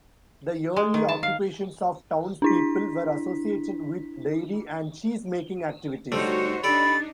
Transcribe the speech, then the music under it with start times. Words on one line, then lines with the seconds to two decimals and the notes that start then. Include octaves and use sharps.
The early occupations of townspeople were associated with dairy and cheese-making activities.
0.76 G#3
0.94 D#3
1.08 A5
1.23 F5
2.42 D4 E4 B6
6.12 D3 G3 A3 D#4 F#4 C5 C#5
6.64 D4 D#4 G4 A4 D5 B5 A6